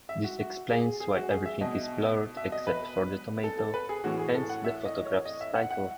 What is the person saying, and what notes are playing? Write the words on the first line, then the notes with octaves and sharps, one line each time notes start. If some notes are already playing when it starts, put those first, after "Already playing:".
This explains why everything is blurred except for the tomato, hence the photograph's title.
E5
F#4
F#4
G#4
G#4
F#4
G#4
E5
B2 D#5
E5
D#5
B4
A4
A4
B4
G#4
A2 E3 F#4
G#4
A4
F#5
E5
D#5
C#5
D#5
E5
F#5
F#5